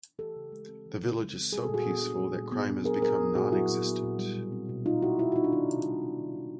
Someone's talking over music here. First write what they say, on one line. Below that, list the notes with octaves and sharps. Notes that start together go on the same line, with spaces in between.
The village is so peaceful that crime has become nonexistent.
E3 G4 A4
C#3
G#3
C4
E3
C#3
G#3
C4
G3 G#4
A4
A#2
F#4 G#4
B3
D4
G3
A#2
B3
D4
F#3 G#4 A#4
A#2 G#4 A#4
B3
A#2 F#4 G#4
F#3 E4 F#4
A#2
B3
A#2
G3
B2
C4
B2
G3 D#4 F4
B2 E4 F#4
C4 E4 F#4
F#4
B2 D#4 F4
D4
D#3 D#4
C3
G3
B3
D#3
C3